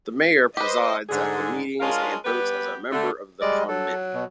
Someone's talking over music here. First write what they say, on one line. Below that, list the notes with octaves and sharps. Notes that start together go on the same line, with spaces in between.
The Mayor presides at the meetings and votes as a member of the Committee.
G4 B4 C5 D#5
G#2 D3 G#4
G#3 D4 F4 A#4 C#5 F5
G3 B3 G4 B4
D3 A3
G3 G#3 D5 D#5
F#3 A4
B2